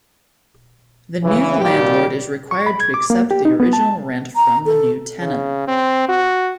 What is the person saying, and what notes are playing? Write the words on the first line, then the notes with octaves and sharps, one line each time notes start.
The new landlord is required to accept the original rent from the new tenant.
C#3 E3
G2 A#2 D#3 G3 F#4 G4
C#6
B5
G#6
D6
A#3
G4
D#4
B3
A5
A#5
A4
C#3
C4
F#4